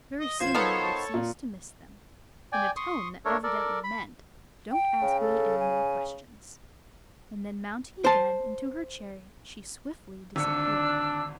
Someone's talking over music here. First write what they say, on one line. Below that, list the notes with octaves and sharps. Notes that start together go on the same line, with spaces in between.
'Very soon you will cease to miss them!' in a tone that evidently meant 'Don't ask me any more questions.' And then mounting again into her chariot she swiftly disappeared.
D#5
B1 F4 C5 G#6 E7
D#3 F3 B3 A4 C#5
A#2
D5 G5 G#5
C6 C#6 D#6
A3 D4 A4 A#4 C#5
A4 A#4 D5
B5
G5
C#3
A4
G#5
C5 A5
G#1 D3 D4 E6 C#7